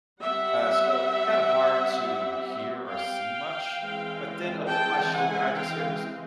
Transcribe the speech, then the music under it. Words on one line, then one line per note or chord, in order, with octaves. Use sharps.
Uh, so it's kinda hard to hear or see much, but then over my shoulder, I just hear this
G3 C4 E5 F#5
F5 G5
E3 G#3 C4
G5 A5
F#5 G#5
F5 G5